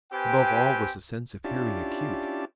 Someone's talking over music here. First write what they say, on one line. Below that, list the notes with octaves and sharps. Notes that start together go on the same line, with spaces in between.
Above all was the sense of hearing acute.
C4 G4 B4 G5 G#5
C#4 D4 E4 F4 G4 A5